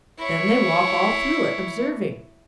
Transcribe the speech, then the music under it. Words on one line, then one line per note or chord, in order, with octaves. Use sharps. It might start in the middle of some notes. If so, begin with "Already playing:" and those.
"Then they walk all through it, observing."
E4 C#5